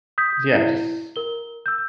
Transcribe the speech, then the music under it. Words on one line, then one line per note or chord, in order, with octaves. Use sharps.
'Cause, yeah, just
D#6 G6 B6
E4
A#4 G7
E6 G6